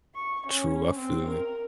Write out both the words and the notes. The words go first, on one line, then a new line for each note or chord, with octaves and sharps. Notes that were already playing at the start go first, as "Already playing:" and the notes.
True. I feel it
C#6
C#4
C4
A#4